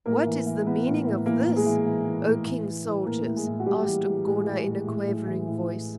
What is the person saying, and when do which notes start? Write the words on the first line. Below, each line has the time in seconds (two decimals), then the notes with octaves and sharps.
"What is the meaning of this, O King's soldiers?" asked Umgona in a quavering voice.
0.06 A2 A#3 A#4
0.26 E3
0.46 E3
0.66 E3 B3 B4
0.86 A2
1.06 A2
1.26 E3 A#3 A#4
1.46 A2
1.56 G#3 G#4
1.66 E3
1.86 E3
2.07 E3
2.26 A2
2.47 E3
2.66 E3
2.87 E3
3.06 A2 A#3 A#4
3.26 A2
3.36 G#3 G#4
3.46 A2
3.60 F#4
3.66 A2 G3 G4
3.86 E3
4.06 E3
4.26 A2 G#3 G#4
4.46 E3
4.67 A2
4.87 A2
5.07 A2
5.27 E3
5.47 A2
5.67 E3